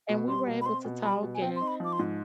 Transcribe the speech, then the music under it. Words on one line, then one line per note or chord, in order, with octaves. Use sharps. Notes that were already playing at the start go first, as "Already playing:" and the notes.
and we were able to talk, and
B2
G3 C6
B2
B5
C4 C6
B2
G3 B5
B2
G#5
C4 G5
C6
D#4
B5
F3 D6
C6
G#2